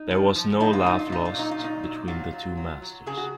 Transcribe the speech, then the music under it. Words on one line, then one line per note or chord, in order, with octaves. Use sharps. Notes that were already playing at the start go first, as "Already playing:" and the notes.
There was no love lost between the two masters.
Already playing: D#4
F3
F3
F#3 D#4
F4
A#2 D#4
F4
A#2 D#4
F4
F#3 D#4
F4
A#2
D#4
F#3
F#3 F4
F#3
F#3
F#3
C#3 G#4
F#4